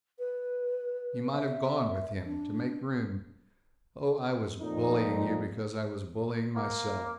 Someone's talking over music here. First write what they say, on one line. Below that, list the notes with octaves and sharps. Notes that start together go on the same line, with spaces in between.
You might have gone with him, to make room---- Oh, I was bullying you because I was bullying myself!
B4
E5
D4
F2 A#2 D#4
A#3